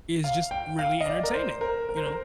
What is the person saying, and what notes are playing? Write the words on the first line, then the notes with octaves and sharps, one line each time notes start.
is just really entertaining. You know?
F5
G5
F5
D#5
D5
A#4
C5
A#4
A#4
C5
A#4